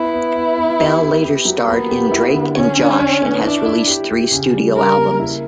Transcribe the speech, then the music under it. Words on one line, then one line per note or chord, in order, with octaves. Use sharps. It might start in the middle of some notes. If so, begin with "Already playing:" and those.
Bell later starred in "Drake and Josh" and has released three studio albums.
Already playing: B3 E4
B3
B3
B3
G4
G4
G4
F#3
A#3 B3
G4
E4
D3
C#4 C#5
D4
C#5
B3
D4 E4
E4
G4
G4
C#3
G3
C#3 A#4
A#3
E4